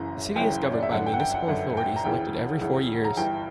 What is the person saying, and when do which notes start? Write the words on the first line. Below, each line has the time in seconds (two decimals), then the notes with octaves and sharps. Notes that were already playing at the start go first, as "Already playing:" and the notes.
The city is governed by municipal authorities elected every four years.
Already playing: F#1 F#2 C#3 E3 A#5
0.36 F#1 F#2 C#3 E3 G5
0.63 C#5
0.73 D5
0.83 E5
0.92 G1 F#2 D3 F#5
1.06 G5
1.14 F#5
1.20 G5
1.34 F#5
1.48 G1 F#2 D3 F#5
1.77 G5
1.96 A#5
2.04 D2 C#3 E3 G5
2.61 D2 C#3 E3
3.04 A#5
3.17 G1 G2 E3 G5